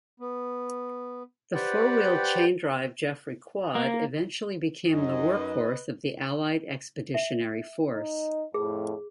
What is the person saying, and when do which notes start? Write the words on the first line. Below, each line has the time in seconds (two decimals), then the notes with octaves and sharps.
The four-wheel, chain-drive Jeffery Quad eventually became the workhorse of the Allied Expeditionary Force.
0.20 B3
1.54 G4 B4 C5 D5 F#5 G5
3.75 A#3
4.93 F#2 C#4 D#4 D#5
5.37 B4
7.14 E5
7.92 D#4 D#5
8.54 F2 A2 G#4